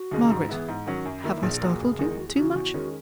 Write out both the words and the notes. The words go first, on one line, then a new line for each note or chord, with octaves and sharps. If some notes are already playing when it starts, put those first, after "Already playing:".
Margaret, have I startled you too much?
Already playing: F#4
D#2 C#3 G#3
G#2 F#4
E3 B3 E4 G#4
G#2
D#3 F#3 C#4
F#2
D#3 A#3 E4
A#1 G#4
A#2 F#3 A#3 G#4
F#1
E2 D#3 G#3
E2 F#4
G#4
C#3 E3 F#4
E2
D#3 G#3 C#4